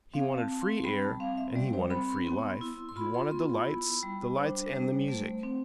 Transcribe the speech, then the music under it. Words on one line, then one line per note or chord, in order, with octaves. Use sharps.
He wanted free air and he wanted free life; he wanted the lights, the lights and the music.
C4 F5
A5
C4
C6
G3 B5
A5
C4 F5
E5
G3 D5
C5
C4 B5
C6
B3
E4
C6
F4 B5
C6
B3 C6
B5
E4
G3
D4 C5
G3
A3
C4